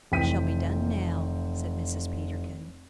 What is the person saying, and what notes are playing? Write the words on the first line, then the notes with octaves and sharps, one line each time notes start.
"What shall be done now?" said Mrs. Peterkin.
F1 E3 G5 B6 D#7